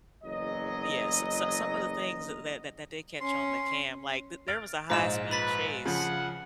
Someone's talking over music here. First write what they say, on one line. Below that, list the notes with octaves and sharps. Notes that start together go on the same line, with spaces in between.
yeah, so so some of the things that that that that they catch on the cam, like, the there was a high-speed chase
F#1 E2 F#3 D#5
C#4 C6
F6 A6 D7
A#1 G#2 F4 C5 D#5 E7
B4 B5 A6 B6
C#3 F3 F#5